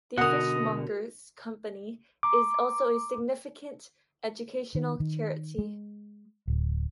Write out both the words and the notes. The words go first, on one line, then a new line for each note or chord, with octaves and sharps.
The Fishmongers' Company is also a significant educational charity.
B2 D3 F#4 A#4 D#5 F#5 D#6
A#5 D6
D#3
D#3
G#3
D1